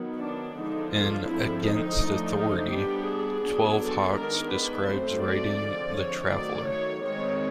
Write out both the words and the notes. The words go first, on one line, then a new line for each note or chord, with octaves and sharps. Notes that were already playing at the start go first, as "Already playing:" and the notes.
In "Against Authority", Twelve Hawks describes writing "The Traveler".
Already playing: D#3 F#3 B3
D4
D3 F3 G#3 B3 D4 D#4
F4
D3 F3 G#3 C4 E4
D#4
F3 A3 D4
D#4
G3 B3 D4 G4
G#4
F#3 B3 D4
A4
D#3 G#3 B3 D4 A#4
B4
F#3 A3 C4 C5
D5
D3 F3 G#3 C4
C#5
D#3 F#3 A3 D5
C#5
D#3 G#3 C4 C#5